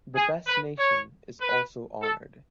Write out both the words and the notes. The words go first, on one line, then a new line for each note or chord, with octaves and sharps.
The best nation is also honoured.
G#4
B4
C#5
B4
A4